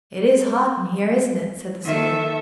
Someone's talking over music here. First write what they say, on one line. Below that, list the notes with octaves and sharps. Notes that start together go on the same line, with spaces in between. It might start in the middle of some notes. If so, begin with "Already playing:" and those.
'It is hot in here, isn't it!' said the suitor.
D#3 A#3 A4 E5